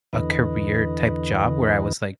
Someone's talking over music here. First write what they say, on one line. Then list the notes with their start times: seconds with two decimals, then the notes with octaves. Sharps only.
a career-type job where I was like,
0.13 E2 D3 E3 B4 D#5